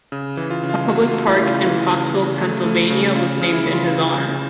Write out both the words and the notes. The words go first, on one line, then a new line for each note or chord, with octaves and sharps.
A public park in Pottsville, Pennsylvania was named in his honor.
C#3
E3
F4
C#3
F4
A3 F#4
F4
A3
E4
C#3
F4
E3 E4
C#3
C#3
A3
A3
C#3
C#3 F4
C#3
E4
C#3
F4
C#3
C#3